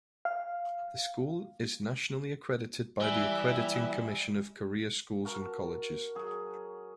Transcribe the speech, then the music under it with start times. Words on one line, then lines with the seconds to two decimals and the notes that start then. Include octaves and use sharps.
The school is nationally accredited by the Accrediting Commission of Career Schools and Colleges.
0.25 F5
3.00 E3 G3 E5 G#5 D7 G7
5.25 F#4 A#4 A5
6.15 F#3 G#4